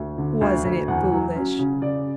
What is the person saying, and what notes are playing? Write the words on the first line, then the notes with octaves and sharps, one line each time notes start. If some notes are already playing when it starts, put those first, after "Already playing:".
Wasn't it foolish?
Already playing: D2
D3
D2
D2
E2 F#5
F#3
C#4
C#3
C#3 D5